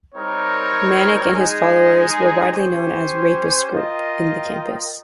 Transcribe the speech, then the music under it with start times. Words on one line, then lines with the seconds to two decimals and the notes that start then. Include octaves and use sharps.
Manik and his followers were widely known as ""Rapist Group"" in the campus.
0.13 G3 C4 D#4 A#4 C#5
1.32 G#3 D#4 G#4
2.52 C#4 G4 C5
3.70 F4 A#4 D#5 G5